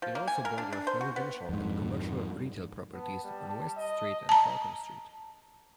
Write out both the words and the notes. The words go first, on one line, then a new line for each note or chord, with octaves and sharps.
It also borders residential and commercial retail properties on West Street and Falcon Street.
F3
A#3
G#5
A#4
D4
D4
C5
F#4
B3
F2 G#2
B3 A5
G3
D#5
A5 A#5